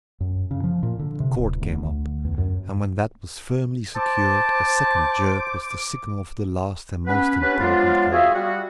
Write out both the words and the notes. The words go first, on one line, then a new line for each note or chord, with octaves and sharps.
A cord came up, and when that was firmly secured, a second jerk was the signal for the last and most important haul.
F#2
C#3
F3
A#2
D3
C3
D1
D2
D2
E2
F#2
C5 A5 D6
B3 C#4 B4
B3 C#4 D4 G4 B4
F3 F#3 G#3 B3 D4 F4
F4 F#4 G#4 E5
G3 F#4